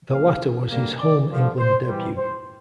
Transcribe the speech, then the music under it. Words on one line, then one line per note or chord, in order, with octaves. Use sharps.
The latter was his home England debut.
G2 F3 A#3 F5
D3 G3 A#3
D5
G2 D3 F3
C5
C3 E3 G3
C5